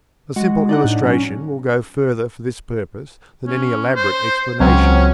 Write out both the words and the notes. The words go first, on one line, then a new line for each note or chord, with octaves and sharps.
A simple illustration will go further for this purpose than any elaborate explanation.
G#3 F#4
D4 D#4 F#5
A2
F#3 C#4
C#4
C5
C#2 F#3 C4 C#4